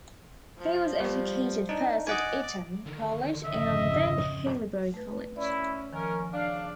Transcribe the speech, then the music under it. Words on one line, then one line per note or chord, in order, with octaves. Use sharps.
He was educated first at Eton College and then Haileybury College.
F3
G3
D4 D#4
D5 D#5 F#5 G#5
D3 D#3
G#1 F2 C#3 D#5 E5
A3 B4
C#4 E4 D5
D#3 F3 C#4 A#4
C#3 D4 F5